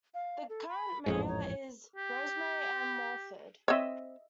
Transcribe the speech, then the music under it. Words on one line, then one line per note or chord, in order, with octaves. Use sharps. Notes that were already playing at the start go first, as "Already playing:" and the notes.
The current Mayor is Rosemarie M. Wolford.
F5
A4
B5
A1 F2 G#2 G#4
C#5
G4
C4 C#5 D#5 E5